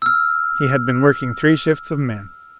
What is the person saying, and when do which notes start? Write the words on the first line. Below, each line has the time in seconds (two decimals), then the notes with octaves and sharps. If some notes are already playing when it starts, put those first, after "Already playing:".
He had been working three shifts of men.
0.02 E6 F6